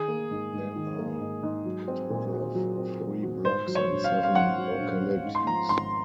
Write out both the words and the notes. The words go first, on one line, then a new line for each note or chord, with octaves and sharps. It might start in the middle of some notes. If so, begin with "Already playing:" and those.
There are a total of three blocks and seven localities.
Already playing: D#3 G#4
A#3
G#2
G#2
D#3
A#3
G#2
G#2
F#3
C4
A#2
F#4
F#3
C4
A#2
F#4
G#2 C5
F#3
C#5
A#1
F5
C#4
F5
G#2 F#5
F#3
A#1
C#4
G#2
C6
F3 A#5
G#1 C6